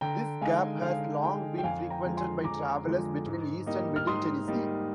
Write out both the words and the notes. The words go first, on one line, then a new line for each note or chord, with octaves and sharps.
This gap has long been frequented by travelers between East and Middle Tennessee.
D3 G5 A#5
G#3 D#4 F5 G#5
D3 F5
G#3 D#4 G5
G5
F2 F5 G#5
G5 A#5
D3 F3 G#3
G#5 C6
F2 A#5 D6
D3 F3 G#3
G#2
G3 A#3 D#4
F6
G#2 C6 D#6
G3 A#3 D#4